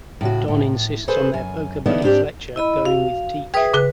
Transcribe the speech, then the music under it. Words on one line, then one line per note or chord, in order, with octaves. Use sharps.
Don insists on their poker buddy Fletcher going with Teach.
A2 C#3 F#4
A2
G#4 A4 B4 C5 G#5
F#2 G#5
D3 E3 B3 D#4 E4
G#2 C4 D4 G4 A#4 D5
E4 D#5 B5
F#4 F5
G#4 B4 E5 G5 D#6
C#3 G#4 B4 F#6